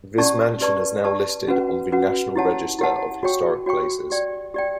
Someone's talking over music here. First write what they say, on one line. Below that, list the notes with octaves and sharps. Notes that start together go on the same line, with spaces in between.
This mansion is now listed on the National Register of Historic Places.
C#4 G4 D5 A5 C#6
G4 B4 D5 A5 C#6
G4 B4 D5 A5 C#6
C#4 F#4 B4 F#5
C#4 F#4 B4 F#5
E4 G4 C#5 F#5 A5
E4 G4 C#5 F#5 A5
F#4 C#5 G5 C#6
F#4 C#5 G5 C#6
G4 D5 G5
G4 D5 G5